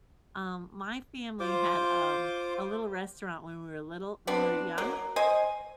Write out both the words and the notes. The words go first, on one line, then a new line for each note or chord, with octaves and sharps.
Um, my family had, um, a little restaurant when we were little when we were young.
F4 C5 D6
B3 C4 D4
F#3 A#3
C5 D#5 G#5